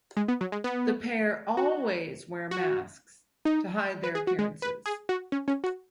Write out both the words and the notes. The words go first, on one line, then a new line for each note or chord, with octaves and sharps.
The pair always wear masks to hide their appearances.
G#3
B3
F#3
G#3
B3
F#4
F#4
D#4
B4
G#4
F#4
G#3
B4
G#4
F#4
C#4
C#4
F#4